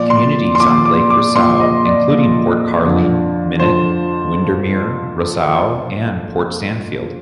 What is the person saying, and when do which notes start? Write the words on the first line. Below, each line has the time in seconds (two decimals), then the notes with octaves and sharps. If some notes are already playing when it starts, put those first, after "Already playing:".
Communities on Lake Rosseau include Port Carling, Minett, Windermere, Rosseau and Port Sandfield.
Already playing: A#2 F3 D5
0.10 C6
0.55 C6
0.60 A#2 F3 D6
0.85 D6
1.10 D6
1.35 A#2 F3 C6
1.60 D#5
1.85 D5
2.10 A#2 F3
2.85 F2 D3 F3
3.59 F2 D3 F3 C5